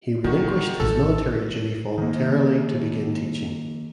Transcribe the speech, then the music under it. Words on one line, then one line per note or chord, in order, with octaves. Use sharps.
He relinquished his Military duty voluntarily to begin teaching.
D#3 E3 F#4
A1 D#3 A4
D#3 A#3